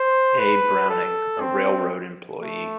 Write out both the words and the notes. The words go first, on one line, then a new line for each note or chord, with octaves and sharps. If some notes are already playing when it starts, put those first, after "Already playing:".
A. Browning, a railroad employee.
Already playing: C5
B4
A4
C4
A3